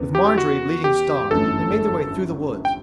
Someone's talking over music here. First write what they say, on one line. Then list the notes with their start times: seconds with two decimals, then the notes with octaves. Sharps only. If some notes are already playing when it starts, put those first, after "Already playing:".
With Marjorie leading Star, they made their way through the woods.
Already playing: E2 C#3 B3
0.15 G4
0.38 F#4
0.84 G4
1.31 G1 F#2 E3 A3 A4
2.65 G5